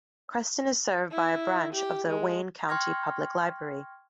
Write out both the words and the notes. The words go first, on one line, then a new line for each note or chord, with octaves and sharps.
Creston is served by a branch of the Wayne County Public Library.
E4
G4
G#3
G5 C6 C#6 F6 G#6 A#6